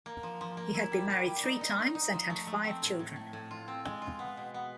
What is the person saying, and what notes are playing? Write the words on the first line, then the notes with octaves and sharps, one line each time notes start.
He had been married three times and had five children.
A#3
F3
F3
A#3
E4
G3
G3
G3
D#4
D#4
D#4
D#4
F3
A3
A3
C4
A2
A2
A2
A2
F4
C4
G#3
F4
B3
B2
B3